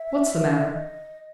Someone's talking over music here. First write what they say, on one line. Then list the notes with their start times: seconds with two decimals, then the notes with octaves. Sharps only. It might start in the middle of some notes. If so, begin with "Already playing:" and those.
"What's the matter?"
Already playing: E5
0.63 E5
0.74 D#5